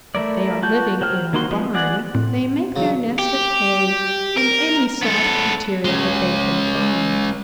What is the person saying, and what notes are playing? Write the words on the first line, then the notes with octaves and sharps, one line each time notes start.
If they are living in a barn, they make their nest of hay and any soft material they can find.
A3 E4 A#4 D5
F4 F#4 A5 G6
F#3 C5 G5 F6
D#3 A#3 D#4 F#4 C6
F3 G#3 B3
G#4 D5 F#5
A2 C4
C#3 F#3
G4
A#4
B3 A4
G#3 C#4